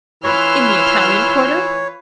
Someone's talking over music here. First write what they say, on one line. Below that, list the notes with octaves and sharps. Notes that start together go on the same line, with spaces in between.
"In the Italian Quarter?"
E3 F4 B4 C#5 C6 E6 F6